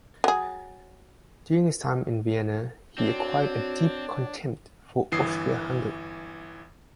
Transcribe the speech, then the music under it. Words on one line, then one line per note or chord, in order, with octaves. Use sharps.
During his time in Vienna he acquired a deep contempt for Austria-Hungary.
F#3 G#4
C4 D4 F#4 C#5
G1 E3 D#6 C7